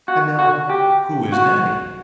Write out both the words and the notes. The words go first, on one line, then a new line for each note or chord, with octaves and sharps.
And, now, who is Nannie?
F#4
F#4
G4
F#4